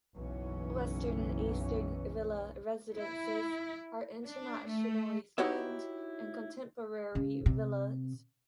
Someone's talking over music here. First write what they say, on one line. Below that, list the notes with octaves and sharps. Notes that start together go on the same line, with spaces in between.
Western and Eastern Villa Residences are internationally themed and contemporary villas.
F#1 B1 E3 C#4
E4
D4
A3
D#4 E4 F#4 G4 C#5 E5
C#3
C3